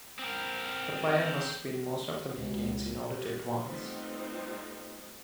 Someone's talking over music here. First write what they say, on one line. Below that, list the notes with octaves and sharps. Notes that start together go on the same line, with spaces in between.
The player must win most of the minigames in order to advance.
C4 A#4
C#2
G3 A3 B3 C4 D#4 F4